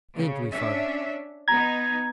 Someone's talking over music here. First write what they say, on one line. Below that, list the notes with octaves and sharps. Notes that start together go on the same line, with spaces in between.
Ain't we, father?'
C#3
C#4 D4 E5
B3 D#4 A#5 G#6